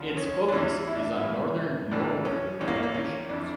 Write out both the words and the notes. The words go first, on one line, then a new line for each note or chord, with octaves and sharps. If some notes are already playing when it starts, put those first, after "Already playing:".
Its focus is on Northern Norway-related issues.
Already playing: D2 C#3 F3
C#4
D4
E2 E3 C#4
E4
D4
E4
E2 E3
A#1 A2 E3 D4
C#4
A#1 A2 E3 C#4
A#3
A#3
C#4
F2 E3 D4